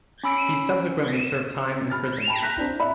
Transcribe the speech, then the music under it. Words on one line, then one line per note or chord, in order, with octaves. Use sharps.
He subsequently served time in prison.
C#4 B5 E6 D7
B5 F6 A6
G5 A5 B5
A#5 F#6 G6 A#6 B6
C4 D4 E4
D5 E5 B5